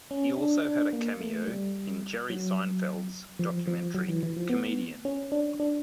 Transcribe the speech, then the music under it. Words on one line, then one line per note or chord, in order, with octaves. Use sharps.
He also had a cameo in Jerry Seinfeld's documentary, "Comedian".
C#4
D4
D4
A#3
A3
G3
F#3
F3
F3
F#3
E3
E3
F3
B3
C#4
D4
D4